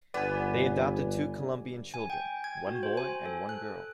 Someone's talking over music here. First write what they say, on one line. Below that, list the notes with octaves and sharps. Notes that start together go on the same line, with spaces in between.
They adopted two Colombian children, one boy and one girl.
G1 B3 D5 G#5
G#5
G5
G#6
F#4
C5
G#5
A4
F#6